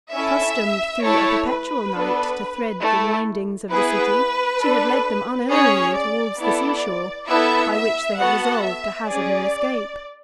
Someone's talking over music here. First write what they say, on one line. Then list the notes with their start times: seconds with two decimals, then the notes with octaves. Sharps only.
Accustomed, through a perpetual night, to thread the windings of the city, she had led them unerringly towards the sea-shore, by which they had resolved to hazard an escape.
0.12 C#4 E4 A4 E5
1.02 A3 E4 A4 C#5
1.47 B4
1.92 B3 D4 A4
2.81 A3 E4 A4
3.71 B3 E4 G#4 B4
4.61 D4 A4
5.50 C#4 G#4 C#5
5.94 D5
6.39 B3 E4 A4 D5
7.28 B3 E4 A4 E5
7.74 E5
8.18 B3 F#4 A4 F#5
8.63 E5
9.08 C#4 G#4 D5